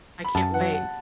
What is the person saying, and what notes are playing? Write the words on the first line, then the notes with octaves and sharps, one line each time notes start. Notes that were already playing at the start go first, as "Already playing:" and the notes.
I can't wait,
B5
F#2 A5
F#5
F#3
F#5